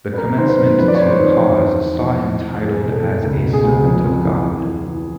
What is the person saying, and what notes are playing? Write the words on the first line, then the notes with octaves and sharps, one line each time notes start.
The commencement to the cause saw him titled as a Servant of God.
B4
F#2 A#4
D#3 C5
B4
F#2
F2 B4
D5
C#5
F2 C5
B4
D#3
E2 C5
E2
E3
F2
F2
E3
E2 G#4
B2
A4
E2
C#2 A#4
B2
G#4
C#2
F2
F2
E3
E2
E2
E3